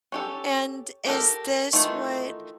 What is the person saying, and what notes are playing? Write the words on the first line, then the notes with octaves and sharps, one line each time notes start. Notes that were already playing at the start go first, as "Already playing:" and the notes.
and is this what
C#4 G4 A4
G4 A4 A#4
D#3 E3 A3 D#4 F4